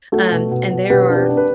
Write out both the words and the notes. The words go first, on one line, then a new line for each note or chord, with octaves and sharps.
um, and there are
A3 F#4 A4
B2
B2
B2
B2 G4 B4
D4
G4 B4
D4
B4